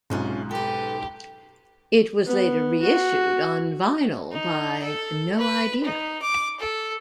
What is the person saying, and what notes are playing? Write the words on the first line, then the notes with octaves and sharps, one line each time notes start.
It was later reissued on vinyl by No Idea.
B1 G#2 C3 C#4 F4
G4 A4 B4
B3
F#4
D#4
A4
B4
D#4
D6
A4